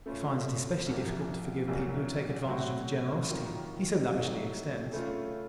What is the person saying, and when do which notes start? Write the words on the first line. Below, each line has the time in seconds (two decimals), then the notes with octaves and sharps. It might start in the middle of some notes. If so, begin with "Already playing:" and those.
He finds it especially difficult to forgive people who take advantage of the generosity he so lavishly extends.
0.06 C#3 A3 C#4 F4
0.86 C2 C3 F3 A#3
1.68 C2 A#2 F#3 A#3
2.48 A2 F#3 C4 F#4
3.30 D#2 D#3 F#3 A#3 F4
4.11 C3 F#3 A3 D#4
4.92 C#3 A3 C#4 F4